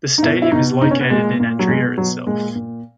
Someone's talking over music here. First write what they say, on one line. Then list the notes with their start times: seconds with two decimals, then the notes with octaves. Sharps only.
The stadium is located in Andria itself.
0.18 D#4
0.23 B2 E4
0.42 E4
0.52 B2 D#4
0.81 B2 D#4
0.91 C#4
1.00 B3
1.10 A#2 G#3
1.40 A#2
1.59 F#3
1.68 B2 G#3
1.98 B2 F#3
2.27 A#2 G#3
2.55 A#2